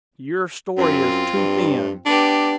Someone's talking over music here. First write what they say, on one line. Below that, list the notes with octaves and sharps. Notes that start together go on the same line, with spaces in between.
"Your story is too thin."
F#2 C4 F4
G2
B3 D4 G4